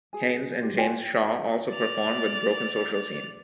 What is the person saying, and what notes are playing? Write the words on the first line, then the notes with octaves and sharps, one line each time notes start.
Haines and James Shaw also perform with Broken Social Scene.
G#4 G#5
G4 C5
F4 D5 G5 G#5
D5 F7